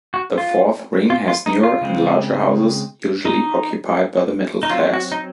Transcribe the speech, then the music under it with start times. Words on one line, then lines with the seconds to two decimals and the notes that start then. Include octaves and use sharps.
The fourth ring has newer and larger houses usually occupied by the middle-class.
0.14 F#4
0.38 F4
1.10 F4
1.28 F4
1.46 D#4
1.63 F4
1.81 C#3 G#3 C4
3.26 D#4
4.63 D#4
4.70 F#3 C4 F4
4.94 F#4
5.12 D#4